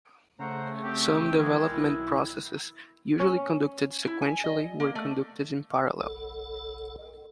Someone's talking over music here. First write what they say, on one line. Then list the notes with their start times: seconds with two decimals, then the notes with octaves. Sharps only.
Some development processes usually conducted sequentially were conducted in parallel.
0.39 C#3 A3 C5 F#5 A#5
0.83 C#3 C4 G4
1.38 D#3 E3 G3 G#3
1.69 B1 E4
3.20 C#4
4.07 E4
4.22 G#5
4.44 D#5
4.80 A#3
4.95 A3
6.01 F#1 B1 A4